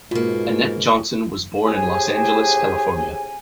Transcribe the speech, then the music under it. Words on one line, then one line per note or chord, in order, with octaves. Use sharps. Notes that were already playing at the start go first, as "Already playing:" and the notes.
Annette Johnson was born in Los Angeles, California.
G#2 B2 A#3 F4
A2 C4 G4 G#4 G#5